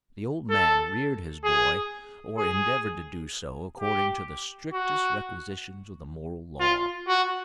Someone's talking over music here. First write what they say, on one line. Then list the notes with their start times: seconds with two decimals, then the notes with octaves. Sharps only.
The old man reared his boy--or endeavored to do so--according to the strictest requisitions of the moral law.
0.50 A4
1.44 G#4
2.38 G#4
3.80 G4
4.73 F#4
6.60 F4
7.08 F#4